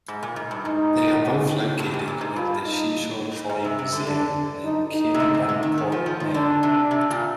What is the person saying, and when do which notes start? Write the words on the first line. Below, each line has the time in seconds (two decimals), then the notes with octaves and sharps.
They are both located at the Seashore Trolley Museum in Kennebunkport, Maine.
0.08 G#2
0.23 A#2
0.36 G#2
0.51 G2
0.65 G#2 D#4
1.79 G2
1.93 G#2
2.08 A#2
2.21 G#2
2.36 G2 F4
2.64 D#4
3.49 G#2
3.64 C3
3.79 C3
3.92 D3
4.07 D3 D4
4.64 D#4
4.92 D#4
5.14 C3
5.20 D3
5.34 C3
5.49 C3
5.63 D#3
5.78 D#3
5.92 F3
6.06 F3
6.20 D#3
6.34 D3 D4
6.63 C3
6.91 C3
7.11 A#2